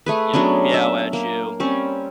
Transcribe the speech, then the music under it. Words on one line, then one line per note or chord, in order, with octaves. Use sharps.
you know, meow at you.
A3 G#4 B4
F#3 B3 C#4 D4
E5
A#3
G3 C4 C#4